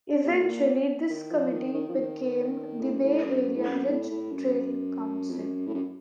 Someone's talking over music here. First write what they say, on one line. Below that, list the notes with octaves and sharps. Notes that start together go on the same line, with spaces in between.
Eventually, this committee became the Bay Area Ridge Trail Council.
C3
A#2
A2
A#2
D#3
F3
D#3
D#3
F3
D#3
A2
F#2
A2
F#2
A2
F#2
A2
A2
F#2
F2
F#2
A2
F#2